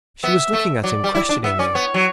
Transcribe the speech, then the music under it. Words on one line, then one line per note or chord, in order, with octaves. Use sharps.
She was looking at him questioningly.
B3 E5
A3
F#3 D5
G3
E4
D4
B3 E5
C#4 D5
B3 C#5
F#3